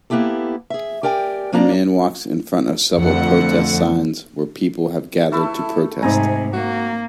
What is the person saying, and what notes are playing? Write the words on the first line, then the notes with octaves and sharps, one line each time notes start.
A man walks in front of several protest signs where people have gathered to protest.
A#3 B3 E4 G4 A4
G#4 E5
G4 A#4 D5 G5 G#5
F3 A#3 D4 D5 A#5
F2 D3 A3 F#5
A3 E4 A4 B4
G#2 C3 A3 C4 D#4 G#5 A#5
A#3 F#4